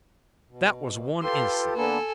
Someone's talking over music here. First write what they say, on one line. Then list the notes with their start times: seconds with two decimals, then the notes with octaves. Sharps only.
That was one instance.
0.50 B2
1.23 F4 G4 A4 B4 C6
1.75 D3 A#3 B3 A4 G#5